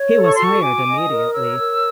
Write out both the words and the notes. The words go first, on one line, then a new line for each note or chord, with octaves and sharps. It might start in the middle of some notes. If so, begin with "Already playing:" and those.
He was hired immediately.
Already playing: C#5
A4
C#6
F#4 C6
C#6
G#5 D6
D#5
D#6
A#4
C#5 E6
A#4